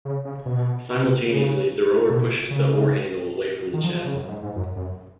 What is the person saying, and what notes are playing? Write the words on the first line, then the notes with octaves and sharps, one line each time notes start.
Simultaneously, the rower pushes the oar handle away from the chest.
C#3
C#3
B2
C#3
B2
C#3
D#3
F3
F3
C#3
F#2
G#2
G#2
F#2
F#2